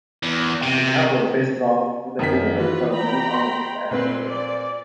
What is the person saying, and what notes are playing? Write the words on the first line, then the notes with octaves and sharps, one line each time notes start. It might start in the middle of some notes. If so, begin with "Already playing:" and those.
A cowboy faces off with a bull in front of many onlookers at a rodeo.
E2
C3
F#2 D#3 B6
E3 F4 F#4 B4
G5 A#5 B5
C6
A#2 C4 B4 C6
D5